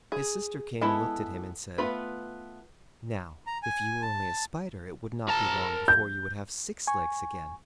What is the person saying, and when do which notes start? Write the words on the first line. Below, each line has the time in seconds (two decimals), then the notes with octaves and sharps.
His sister came and looked at him and said, "Now if you were only a Spider it would not be long before you would have six legs again."
0.12 G#4
0.81 G#3 B3 E4 A4 A5
1.78 A3 B3 F4 B4
3.47 A#5
3.63 G#5
4.02 A5
5.29 A#4 A5
5.88 G6
6.87 G#5 C#6